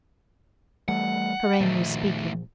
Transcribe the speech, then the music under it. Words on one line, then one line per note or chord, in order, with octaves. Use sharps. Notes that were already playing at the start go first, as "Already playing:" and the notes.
Karain was speaking.
E3 G3 A3 F#5
A#2 D#3 F3 A3